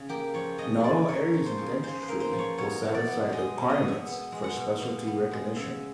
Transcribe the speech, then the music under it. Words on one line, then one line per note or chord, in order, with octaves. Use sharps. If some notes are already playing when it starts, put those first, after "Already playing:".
Not all areas in dentistry will satisfy the requirements for specialty recognition.
Already playing: C#3
A#3 G4
F3 C#5
C#3 D#5
C#3 D5
A#3 C#5
F3
C5
C#3
C#3 C5
B4
A#3
C5
F3
C#5
B2 C#5
B2
D5
B3
G#3 D#5
B2
D#5
B2
E5
B3
G#3
F#5
B2
B2 F5
B3
G#3
C#3 E5